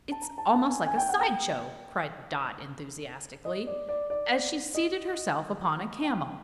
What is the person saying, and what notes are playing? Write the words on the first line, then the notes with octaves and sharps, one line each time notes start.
"It's almost like a side show!" cried Dot enthusiastically, as she seated herself upon a camel.
A5
A#5
A5
A5
G#5
G#5
G5
F#5
G5
D#5
D5
D5
D5
D#5
G5